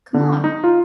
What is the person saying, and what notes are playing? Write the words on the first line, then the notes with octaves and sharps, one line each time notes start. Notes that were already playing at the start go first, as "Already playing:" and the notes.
Come on,
D3
D#4
F4